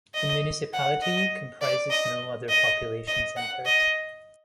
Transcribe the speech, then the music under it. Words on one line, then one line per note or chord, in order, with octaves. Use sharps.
The municipality comprises no other population centres.
D#5
F#5
D#5
D5
D#5
D#5
D#5
F#5
D#5